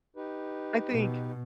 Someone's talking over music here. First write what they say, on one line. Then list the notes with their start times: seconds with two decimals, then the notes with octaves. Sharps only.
I think
0.16 D#4 G4 B4
0.90 B2